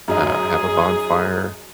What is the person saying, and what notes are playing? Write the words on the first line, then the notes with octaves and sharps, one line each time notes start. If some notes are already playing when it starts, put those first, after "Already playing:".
uh, have a bonfire,
F#2 D#4 G#4